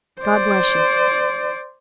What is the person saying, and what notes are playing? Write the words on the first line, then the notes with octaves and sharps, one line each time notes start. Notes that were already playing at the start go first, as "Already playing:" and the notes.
'God bless you!
C5 D5